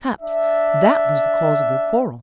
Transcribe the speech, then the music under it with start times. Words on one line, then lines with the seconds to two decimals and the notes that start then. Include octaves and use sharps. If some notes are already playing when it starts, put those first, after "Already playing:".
Perhaps that was the cause of their quarrel.
0.20 D4 E5